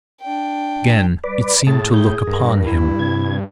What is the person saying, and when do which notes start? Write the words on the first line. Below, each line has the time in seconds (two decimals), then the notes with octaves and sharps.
Again it seemed to look upon him.
0.22 D4 G5
1.24 G3 B4 D5
1.67 A2 G#4 A5
1.94 G6
2.27 G2 A#4
2.66 E4
2.99 C3 G#6